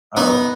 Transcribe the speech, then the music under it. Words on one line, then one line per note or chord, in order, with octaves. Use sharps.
Oh, okay.
B3 D#4